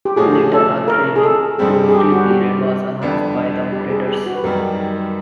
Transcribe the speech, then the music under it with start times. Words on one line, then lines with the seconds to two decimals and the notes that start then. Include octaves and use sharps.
Later a three-week toll-free period was announced by the operators.
0.05 G4
0.16 A2 F3 A3 C#4 F#4 G#4
0.52 A4
0.88 A#4
1.16 G#4
1.23 A4
1.59 G2 D3 G3 C4 G#4
1.71 G#4
1.77 G4
1.89 G#4
1.94 G4
2.12 F#4
2.30 G4
3.02 F2 D3 G3 B3 D4
3.73 G4
3.90 G#4
4.08 G4
4.26 F#4
4.36 B4
4.44 F#2 D#3 G3 A#4